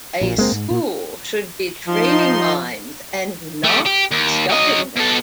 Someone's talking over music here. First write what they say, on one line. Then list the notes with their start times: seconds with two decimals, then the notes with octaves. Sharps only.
A school should be 'training minds and not stuffing them'.
0.21 A#1 A#2
0.37 F#1 G#3 A#3 C4
0.52 G#2
0.70 A#2
1.87 F3 D#4 C6
3.64 A3 G4
3.86 G4
4.11 D#2
4.49 F#3 D#5
4.97 B2 A4